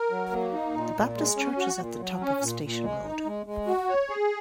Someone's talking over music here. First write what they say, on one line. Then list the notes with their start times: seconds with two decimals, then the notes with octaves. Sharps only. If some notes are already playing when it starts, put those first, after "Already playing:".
The Baptist Church is at the top of Station Road.
Already playing: A#4
0.11 F#3
0.32 A#3
0.53 D#4
0.74 A#2
0.95 A#2
1.16 G#3
1.37 C#4
1.58 F#4
1.78 A#2
1.99 F#3
2.21 C#4
2.41 A#2
2.62 A#2
2.83 G#3
3.04 D#4
3.26 G#3
3.46 G#3
3.67 F#4
3.89 C#5
4.09 G#4